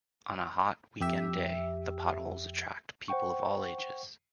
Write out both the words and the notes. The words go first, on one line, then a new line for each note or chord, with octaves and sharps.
On a hot, weekend day, the potholes attract people of all ages.
F2 G4 E5
C5 F#5 G5 C#6